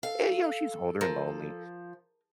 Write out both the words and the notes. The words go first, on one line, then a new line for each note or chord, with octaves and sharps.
And, you know, she's older and lonely.
A4 F5
F3 A#4